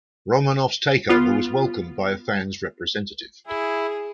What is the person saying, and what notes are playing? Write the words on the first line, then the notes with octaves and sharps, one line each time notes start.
Romanov's takeover was welcomed by a fans representative.
B3 F4
E4 G#4